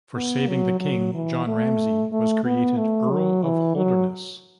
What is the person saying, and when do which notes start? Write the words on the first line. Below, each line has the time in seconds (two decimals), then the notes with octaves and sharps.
For saving the king, John Ramsay was created Earl of Holderness.
0.15 B3
0.48 F#3
0.80 F#3
1.14 E3
1.47 A3
2.13 A3
2.45 B3
2.77 A3
3.10 F#3
3.43 E3
3.76 F#3